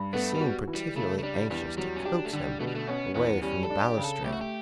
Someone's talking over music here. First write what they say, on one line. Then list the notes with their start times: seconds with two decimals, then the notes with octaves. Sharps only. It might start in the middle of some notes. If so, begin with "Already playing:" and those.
He seemed particularly anxious to coax him away from the balustrade.
Already playing: G2
0.13 A3 B3
0.34 G3
0.40 F#4
0.68 E3
0.75 G3
0.96 C#3 A3
1.19 A3
1.23 G3 D4
1.50 E2 G3
1.78 F#3 G3
1.96 C#4
2.05 D4 G4
2.25 A3
2.33 D3 G3
2.60 B2 A3
2.67 G3
2.75 A3
2.87 B3 C#4
3.15 E2 B3
3.43 G3 C#4
3.63 A4
3.70 D4
3.83 G4
3.97 C#3
4.04 A4
4.25 A3 G4
4.33 F#4
4.41 G4